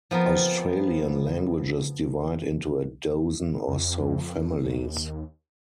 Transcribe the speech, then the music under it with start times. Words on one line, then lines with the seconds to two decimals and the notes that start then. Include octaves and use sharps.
Australian languages divide into a dozen or so families.
0.11 F3 B3 C4 A#4
3.68 F2
4.64 D#2